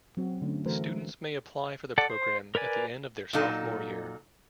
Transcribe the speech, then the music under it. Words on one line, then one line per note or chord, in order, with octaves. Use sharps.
Students may apply for the program at the end of their sophomore year.
F#3 C4 F#4
D3 A3 C#4
E3 A3 F#4 A#4 C5
A4 D5 F#5
C5
A#4 B4 D5 G#5
A#2 F#3 D#4 A4